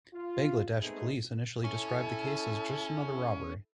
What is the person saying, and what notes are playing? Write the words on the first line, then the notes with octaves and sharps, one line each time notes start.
Bangladesh police initially described the case as "just another robbery".
F4
G#3 A3 B3 C4 D#4 G#4
C#4 E4 A4